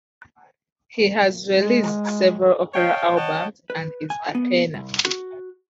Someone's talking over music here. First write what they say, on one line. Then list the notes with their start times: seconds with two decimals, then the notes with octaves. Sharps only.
He has released several opera albums and is a tenor.
1.54 G#3
2.74 C#5 D#5 F5 G5 A5
3.16 C#5 D#5 F#5 G5 A5
3.70 B4
4.10 G#5
4.35 B3
4.74 C2
5.05 F#4